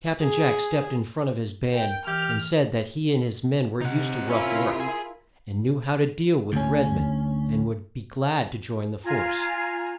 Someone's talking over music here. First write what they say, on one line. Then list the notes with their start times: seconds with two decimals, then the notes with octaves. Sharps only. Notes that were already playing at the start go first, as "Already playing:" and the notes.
Cap-tain Jack stepped in front of his band and said that he and his men were used to rough work, and knew how to deal with the red-men, and would be glad to join the force.
0.21 G#4
1.73 A#4 G5
2.07 E3 G4 F6
3.81 C3 D#4 F#5
4.29 C#4 E4 F4 A#4
4.80 G#4
6.53 D2 C#4
9.04 F4 G#5 A#5